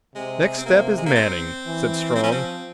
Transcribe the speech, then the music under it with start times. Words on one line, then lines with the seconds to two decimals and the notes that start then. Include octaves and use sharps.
"Next step is Manning," said Strong.
0.15 C3 G#3
0.58 C4
0.66 C3 A#3
0.97 G#3
1.06 A#3
1.15 C4
1.66 E3
2.15 F3 C4
2.23 C#4
2.32 C4